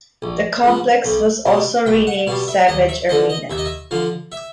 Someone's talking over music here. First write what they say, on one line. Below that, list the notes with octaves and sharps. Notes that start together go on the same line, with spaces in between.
The complex was also renamed Savage Arena.
A#1
G#2 F3
B1
B2 G3
B1 G5
F#5
B2 G3 F5
E5
D#2 D#5
E5
D3 F3 D#5
D#5
D#2 E5
D#5
E5
D3 F3 F5
E5